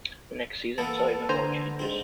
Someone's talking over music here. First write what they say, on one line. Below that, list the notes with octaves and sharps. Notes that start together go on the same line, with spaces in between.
The next season saw even more changes.
E3 A#3 B3 A4
D3 C5 G#5 A#5
G#2 C4